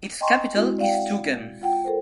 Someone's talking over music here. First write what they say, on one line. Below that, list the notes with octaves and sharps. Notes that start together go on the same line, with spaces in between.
Its capital is Tougan.
D#5 G5 G#5 A#5 C6 C#6
G#3 C4 E4 F#4
D5 F5 G5
F#5
F4 F#5 G5
A4 A#4 C5